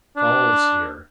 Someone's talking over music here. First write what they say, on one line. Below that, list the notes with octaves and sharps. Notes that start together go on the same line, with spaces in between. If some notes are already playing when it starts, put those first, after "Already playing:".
Fall's here.
D4